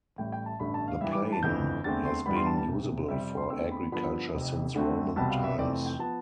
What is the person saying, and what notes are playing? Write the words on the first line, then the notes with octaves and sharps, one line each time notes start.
The plain has been usable for agriculture since Roman times.
A1 A2 G3 G5
G5
A5
A1 G2 D3 A3 B5
A5
F5
G2 E3 G3 E5
D6
A5
G1 F2 E3 A3 G6
E2 D3 A3 C4 A6
C6
G2 E3 G3 B3 B5
C6
A5
A5
E1 D2 C3
F2 C3 G3 C4 E5
E5
C6
E2 D3 A3 C4 E6
B5
G2 D3 F3 B3 B5
F1 F2 C3
D2 D3 A3 C4
C2 B2 G3 C4 A5
F5
E5
F1 F2 E3 A3 C4 D5
G5
F3 B3 A5